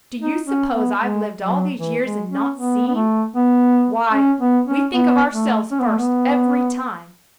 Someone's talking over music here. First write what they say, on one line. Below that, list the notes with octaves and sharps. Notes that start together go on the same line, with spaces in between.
Do you suppose I've lived all these years and not seen? Why--we think of ourselves first every time.
D#4
C#4
B3
G#3
F#3
E3
G#3
C#4
B3
B3
A3
B3
C#4
B3
C#4
B3
A3
C#4
B3
A3
B3